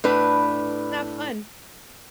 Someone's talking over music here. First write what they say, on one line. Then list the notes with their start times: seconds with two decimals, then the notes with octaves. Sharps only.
Not fun.
0.04 A2 D4 B4